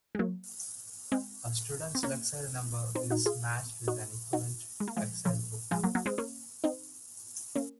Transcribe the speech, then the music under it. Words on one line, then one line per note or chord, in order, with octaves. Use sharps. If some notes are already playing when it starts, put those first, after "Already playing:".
A student’s lexile number is matched with an equivalent Lexile book number.
G#3
F#3 A#3
G#3 C4
C4
A#3 C#4
C4 D#4
D#4 F#4
F4 G#4
D#4 F#4
D#4 F#4
G#3
A#3
F3 G#3
C#3 F3
F3 G#3
F#3 A#3
F#3 A#3
G#3 C4
A#3 C#4
C4 D#4
A#3 C#4